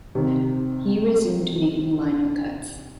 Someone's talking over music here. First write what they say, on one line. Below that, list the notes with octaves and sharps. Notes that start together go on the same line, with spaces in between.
He resumed making lino-cuts.
C3 D#3